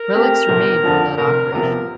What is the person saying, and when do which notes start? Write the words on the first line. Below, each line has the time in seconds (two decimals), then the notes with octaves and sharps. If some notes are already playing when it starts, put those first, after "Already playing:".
Relics remain from that operation.
Already playing: A#4
0.14 A3 C4 G4
0.49 G1
0.83 F2 D3 F3
1.18 F1 A#4
1.52 E2 C3 F3 A#4